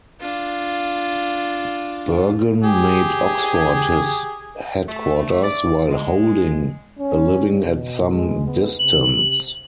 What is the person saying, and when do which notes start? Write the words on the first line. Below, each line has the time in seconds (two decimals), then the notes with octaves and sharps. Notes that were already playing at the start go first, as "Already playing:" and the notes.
Burgon made Oxford his headquarters, while holding a living at some distance.
0.20 D4 F4
2.63 G4 G#4
4.89 A3
5.43 D5
5.90 G#3
6.99 C#4
7.66 B2
8.13 G#3
8.46 B3
8.79 C3 F#7